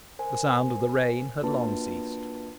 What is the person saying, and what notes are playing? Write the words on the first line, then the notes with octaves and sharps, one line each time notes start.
The sound of the rain had long ceased.
A#4 C5 G#5
A#3 D4 F4 F#4 B4 A5